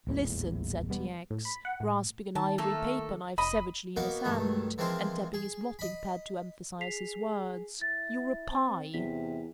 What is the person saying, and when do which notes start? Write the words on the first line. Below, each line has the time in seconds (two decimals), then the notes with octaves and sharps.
"Listen," said T. X., grasping an ivory paperknife savagely in his hand and tapping his blotting-pad to emphasize his words, "you're a pie!"
0.07 D#1 A1 E2
0.89 E1 G3 B3
1.30 A2
1.45 B5
1.65 F#5
1.80 A2
2.35 D#3 A5
2.58 A3 A#3 A4
3.38 F1 D#5 B5
3.96 A#3 B3 D#4 F#4 A#4
4.25 B1 G2 D#3 A3
4.78 E3 F3 G#3 C4 A#4 C5
5.34 G#4
5.79 D#5 B5
6.81 G#4 B6 C7 F7
7.81 E4 A6
8.50 C4
8.94 E2 C3 B6